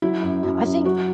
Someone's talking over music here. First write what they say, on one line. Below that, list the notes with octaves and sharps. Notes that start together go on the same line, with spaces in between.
I think
F#3 E4
F#2
F#2
F#2
F#3 F#4